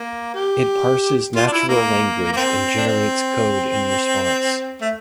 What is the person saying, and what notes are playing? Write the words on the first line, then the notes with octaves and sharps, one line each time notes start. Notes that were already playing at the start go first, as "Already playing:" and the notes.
It parses natural language and generates code in response.
Already playing: A#3
G4
F4
D4
E4
A#3
A#3
C4
D4
C4
A3